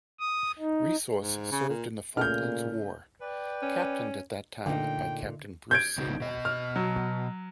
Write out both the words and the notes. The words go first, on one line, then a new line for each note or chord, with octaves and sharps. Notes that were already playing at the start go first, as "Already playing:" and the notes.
"Resource" served in the Falklands War, captained at that time by Captain Bruce Seymour.
D#6
D#4
G#2
C#3
A#2
A#2 C#3 A3 F6 G6
B4 D5 G5
C#4
A#2 D3 A3 D#4 G5
G6 G#6 D7
C#3 B3 D#4
B2 D#5
F6
F#3